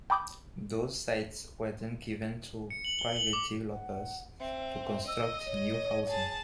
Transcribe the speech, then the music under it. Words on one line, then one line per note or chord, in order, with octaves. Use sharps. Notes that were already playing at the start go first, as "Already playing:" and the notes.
Those sites were then given to private developers to construct new housing.
G5 A5 B5 D6 D#6 G6
C#7
F#7
G7
F#7
D6
F#5
C4 E5
D#5 E6
C#5
G#4 A5